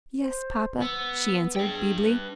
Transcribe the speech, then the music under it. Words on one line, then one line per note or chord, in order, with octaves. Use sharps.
"Yes, papa," she answered feebly.
C5
B3 E6
D4 G#4 G5
B4